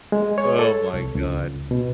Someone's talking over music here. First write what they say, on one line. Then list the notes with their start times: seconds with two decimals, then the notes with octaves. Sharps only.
Oh my god.
0.12 G#3
0.38 C#5
0.59 A4
0.94 C2
1.15 C#2
1.71 B2